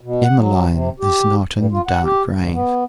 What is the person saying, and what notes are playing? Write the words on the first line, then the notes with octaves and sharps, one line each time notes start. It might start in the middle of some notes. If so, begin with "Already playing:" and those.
"Emmeline is not in the dark grave."
B2
F#5
F#3
C3
G4
G2
F4
F#5
G4
D2
B3